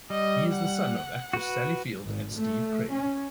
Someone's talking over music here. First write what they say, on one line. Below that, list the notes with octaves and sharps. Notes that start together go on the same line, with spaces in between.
He is the son of actress Sally Field and Steve Craig.
G3 D#5
F#5
F#4 B4
G#1
A3
C#4